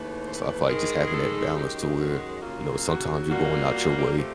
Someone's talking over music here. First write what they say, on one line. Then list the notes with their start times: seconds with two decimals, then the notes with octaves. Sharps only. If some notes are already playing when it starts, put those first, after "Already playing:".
So I feel like just having that balance to where, you know, sometimes you're going out your way
Already playing: D#2 C#3 E3 A3 B4
0.26 C5
0.33 B4
0.41 A#4
0.49 B4
0.68 G#2 D#3 G#3 A#4
1.07 G#4
1.12 A4
1.55 F#2 D#3 G#3 G4
1.99 F#4
2.42 D#2 C#3 F#3 A#3 F4
2.86 F#4
3.30 A#2 G3 A#3 F#4
3.51 F#4
3.66 F4
3.73 F#4
3.96 G4
4.17 C3 F3 A3 G4